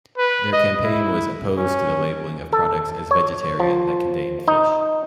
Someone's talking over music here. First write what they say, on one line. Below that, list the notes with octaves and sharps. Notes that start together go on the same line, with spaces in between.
Their campaign was opposed to the labeling of products as vegetarian that contained fish.
B4
D#5
E4
C#4
A4
C#5
F3
D#4